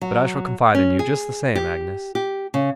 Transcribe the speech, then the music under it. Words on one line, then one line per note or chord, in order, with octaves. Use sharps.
'But I shall confide in you, just the same, Agnes.
F#3
C#4
G#4
G4
G4
C#3